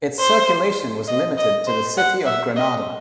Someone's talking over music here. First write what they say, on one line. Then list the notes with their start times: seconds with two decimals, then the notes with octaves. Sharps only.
Its circulation was limited to the city of Granada.
0.19 C5
1.07 D#5
1.38 D#5
1.67 C5
1.97 F#5
2.26 E5
2.56 D#5